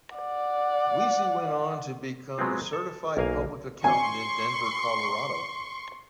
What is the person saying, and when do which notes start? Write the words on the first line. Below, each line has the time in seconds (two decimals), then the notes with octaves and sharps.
Weese went on to become a Certified Public Accountant in Denver, Colorado.
0.16 D5 F#5
2.38 F#3 G#3 B3 C4 F4
2.73 A4
3.17 B1 A#3 A#4 F5 G#5
3.84 G#5 C6 C#6